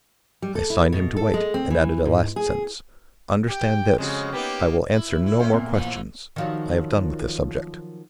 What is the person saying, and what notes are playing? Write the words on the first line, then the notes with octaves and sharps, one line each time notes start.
I signed him to wait, and added a last sentence: "Understand this; I will answer no more questions--I have done with the subject."
G3
A4
E4
B2
A4
G#3
C4
E3
G#2
G#4
G4 G5
F2 C#3 G#3 F#4
A#3 B3 D#4 G4
E4
E3 E4
C#4 A4 C5
G1 A#2 A#3
E3 F3
D#3 F3 F#3